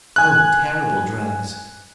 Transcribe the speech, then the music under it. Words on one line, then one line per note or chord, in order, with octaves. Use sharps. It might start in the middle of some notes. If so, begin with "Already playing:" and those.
"Oh! terrible drugs."
G#5 F#6